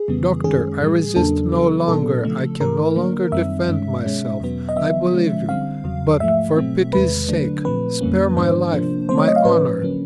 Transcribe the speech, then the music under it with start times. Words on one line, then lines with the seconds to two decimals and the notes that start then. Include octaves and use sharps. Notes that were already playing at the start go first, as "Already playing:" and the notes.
"Doctor, I resist no longer--I can no longer defend myself--I believe you; but, for pity's sake, spare my life, my honor!"
Already playing: G#4
0.08 F2 C#3 E3 G3 B3
0.44 F#2 D#3 G#3 C#4 G#4
0.79 A2 E3 G3
1.16 E2 C#3 F#3 A#3 D4 A4
1.52 C#3 F#3 B3
1.88 A#2 F#3 B3 D4 A4
2.25 C#3 F3 A3
2.61 G#2 E3 A3 A#4
2.96 D3 F#3 A#3 D4
3.32 F#2 D#3 G3 C4 E5
3.69 G2 D#3 G#3 C#4
4.05 B2 G#3 C#4
4.40 E2 B2 F#3 B3
4.69 D#5
4.76 D3 F#3 B3 E5
5.13 D3 F3 G#3 C#4
5.49 D3 G3 C4 F5
5.84 E2 C#3 F#3
6.20 G#2 F3 A3 E5
6.56 B2 F#3 A3 C4
6.93 E2 C3 D#3 G#3 B4
7.28 D3 F#3 A3 D4
7.65 A#2 F3 A3 C4 B4
8.01 F2 D3 G3 A#3 C#4
8.36 G#2 D#3 G#3 B3 D4 C5
8.73 C3 F3 A#3 D4
9.09 C#3 F#3 A3 C4 C5
9.18 C#5
9.28 D#5
9.36 F5
9.45 A2 F3 A#3 C#4 B4
9.81 D3 F#3 A#3 C#4